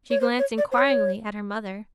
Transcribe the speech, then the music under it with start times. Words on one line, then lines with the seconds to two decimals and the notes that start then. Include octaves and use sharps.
She glanced inquiringly at her mother.
0.10 C#5
0.21 C5
0.39 C#5
0.58 D5
0.72 C5
0.77 C#5